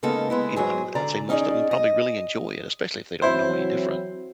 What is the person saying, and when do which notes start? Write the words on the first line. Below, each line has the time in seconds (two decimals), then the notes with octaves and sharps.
you know, I'd I'd say most of 'em probably really enjoy it, especially if they don't know any different
0.03 C#3 G#3 A#3 B3 D#4 A4
0.30 G#3 B3 E4
0.56 G#2 F#3 G#4
0.95 D3 D5 A#5
1.29 C#4 D#4 E4 G#4 D5 D#5
1.71 D#5
3.22 E3 F#3 C4 E4 C5